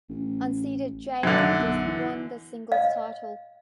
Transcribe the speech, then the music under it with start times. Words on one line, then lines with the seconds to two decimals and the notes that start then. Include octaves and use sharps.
Unseeded Jay Lapidus won the singles title.
0.09 A1
1.23 F#2 D3 D#3
1.58 B1
1.85 E3
2.72 D#5 F5